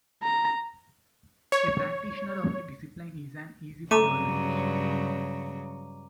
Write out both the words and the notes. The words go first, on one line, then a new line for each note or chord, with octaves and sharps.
A practitioner of the discipline is an "Egyptologist".
A#5
C#5
G2 C#3 F#3 A3 A#5 D6 D#7